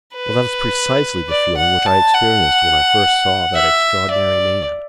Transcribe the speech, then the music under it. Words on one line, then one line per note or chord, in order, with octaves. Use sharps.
"Well, that is precisely the feeling which I experienced when I first saw that extraordinary man."
B4
D5
F#5
A5
F#5
E5
D5